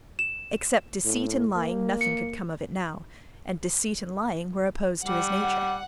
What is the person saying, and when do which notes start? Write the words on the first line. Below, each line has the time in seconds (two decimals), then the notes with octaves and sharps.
Except deceit and lying nothing could come of it now; and deceit and lying were opposed to his nature.
0.19 E7
1.05 A2
1.55 A#3
2.01 C#7
5.05 G3 F#5